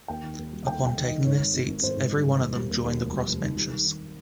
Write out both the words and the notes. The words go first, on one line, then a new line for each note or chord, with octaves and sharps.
Upon taking their seats, every one of them joined the crossbenches.
D#2 G5
D#3
D#2
G3
D#2 G5
G3 G5
D#3
D#5
D#3
G#2 C#5
G#1
G#1
G#1
G#1 C5
G#2
G3
G#1
D#2
G3
D#2
D#2
F1
G3
F1
D#3
G3
D#3
D#3